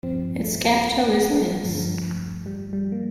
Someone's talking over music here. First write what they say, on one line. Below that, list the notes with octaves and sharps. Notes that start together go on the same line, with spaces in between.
Its capital is Linz.
G2 F3 C4
A3
G2 D3 F3
G3
G3
A#3